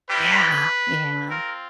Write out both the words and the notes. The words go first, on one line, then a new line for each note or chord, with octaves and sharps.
Yeah, yeah.
G3 C4 E4 G4 B4
C4 F4 A#4